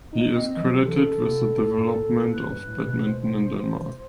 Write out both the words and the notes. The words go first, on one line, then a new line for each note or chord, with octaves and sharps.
He is credited with the development of badminton in Denmark.
D#4 D#5
D#5
C4
D#5
E3
F#3
C5
E3 A4
D#3
C3
B2
A2
G2
A2
A2
A2 B4
G2
A2
B2
C5